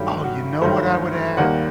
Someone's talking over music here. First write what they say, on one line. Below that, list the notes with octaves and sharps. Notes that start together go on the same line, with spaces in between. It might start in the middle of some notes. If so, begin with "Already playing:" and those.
Oh, you know what I would add?
Already playing: G2 D#3 F#3 A3 G4
F#4
G2 D#3 F#3 A3 C5
D#2 D#3 G3 A#3 F#5